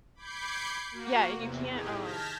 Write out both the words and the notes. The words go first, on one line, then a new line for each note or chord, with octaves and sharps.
Yeah, and you can't, uh
B5 D6 G6 G#6 C7 C#7
A#3 F#4
E2 C3
A2 D#3 G4 G#4
A5 F6 G6 G#6 A#6 B6